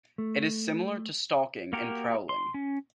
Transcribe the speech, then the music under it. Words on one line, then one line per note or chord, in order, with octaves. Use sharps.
It is similar to stalking and prowling.
A3
A#3 F#4 G4 A#4
C6
C#4